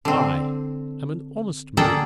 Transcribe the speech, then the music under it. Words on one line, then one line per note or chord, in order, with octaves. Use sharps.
I am an honest man.
D3 C4
D3 A#3 G#4 A4 F#5 G5